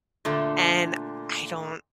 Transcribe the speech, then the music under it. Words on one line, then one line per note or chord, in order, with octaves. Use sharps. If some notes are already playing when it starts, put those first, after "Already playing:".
and I don't
A#2 D3 A3